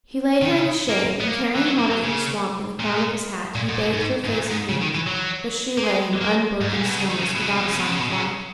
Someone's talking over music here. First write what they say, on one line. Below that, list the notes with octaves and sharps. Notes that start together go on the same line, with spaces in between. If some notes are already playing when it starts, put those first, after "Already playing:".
He laid her in the shade, and carrying water from the swamp in the crown of his hat, he bathed her face and hands; but she lay in unbroken stillness, without a sign of life.
D#3
C#3
A#3
B3
A#3
E3
F#3
A#3
F#3
C#3
A#2
A#2
B2
A#2
B2
G#2
G#2
A#2
G#2
C#3
D#3
E3
F#3
A#3
G#3
A#3
G#2
A#2
B2
C#3
D#3
B2
C#3
B2
C#3
B2
C#3
B2
C#3
B2
C#3